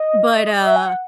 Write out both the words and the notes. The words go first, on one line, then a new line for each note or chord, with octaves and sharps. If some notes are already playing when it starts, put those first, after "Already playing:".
But, uh
Already playing: D#5
D#5
E5
G#5
F#5